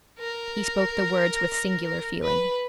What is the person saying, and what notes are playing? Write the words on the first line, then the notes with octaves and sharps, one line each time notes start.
He spoke the words with singular feeling.
A#4
B4